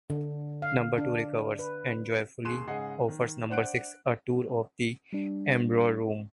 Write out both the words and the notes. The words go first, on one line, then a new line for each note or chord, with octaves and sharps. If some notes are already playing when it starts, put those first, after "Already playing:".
Number Two recovers and joyfully offers Number Six a tour of the Embryo Room.
D3
F5
D4
B4
D#2 G#4 C6 F#6 D#7 E7
G#2 C#3 G#4 D#5 F#5 C7
D#3
D4 C5 F#5 F#6 D7
G3 D4